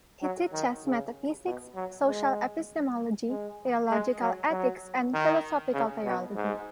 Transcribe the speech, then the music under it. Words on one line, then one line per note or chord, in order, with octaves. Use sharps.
He teaches metaphysics, social epistemology, theological ethics, and philosophical theology.
F#3
D#3
C#3
B2
F#3
G#3
G#3
G#3
F#3
F#3
D#3
C#3
B2
G#2